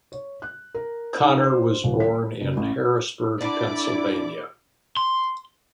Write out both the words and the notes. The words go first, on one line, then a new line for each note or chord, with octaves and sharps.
Conner was born in Harrisburg, Pennsylvania.
C#5
F#6
A#4
D#4
C5
D#1
B6
F#1
A1
D3 D4 E4 D5 D6
C6